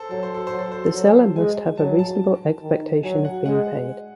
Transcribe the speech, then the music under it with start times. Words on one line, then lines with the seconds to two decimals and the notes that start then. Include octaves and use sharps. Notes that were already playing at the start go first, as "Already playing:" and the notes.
The seller must have a reasonable expectation of being paid.
Already playing: A4 C5
0.11 F#3 A4
0.23 C5
0.34 A4
0.47 C5
0.53 F#3
0.59 A4
0.72 C5
0.84 A4
0.94 F#3
1.36 G#3 G#5
1.78 F#3 A5
1.99 A5
2.62 D#3
3.03 F#3 G#5
3.25 F#5
3.46 G#3 F#5